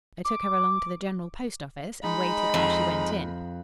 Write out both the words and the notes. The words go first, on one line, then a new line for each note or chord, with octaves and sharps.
I took her along to the General Post Office, and waited while she went in.
D6
G#3 D#4 B5
F2